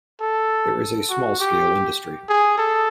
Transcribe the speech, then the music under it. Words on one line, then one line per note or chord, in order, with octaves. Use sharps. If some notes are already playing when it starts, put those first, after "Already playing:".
There is small scale industry.
A4
F#4
G4
G#4
A4